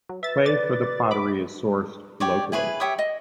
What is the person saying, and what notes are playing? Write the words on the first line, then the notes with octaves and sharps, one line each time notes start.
Clay for the pottery is sourced locally.
F#3
B4 E5 A6
D5 A6
B5 D6
G4 C#5 D5
E4 G#4 B4 C#5
G4 C#5 E5 D#6
D#5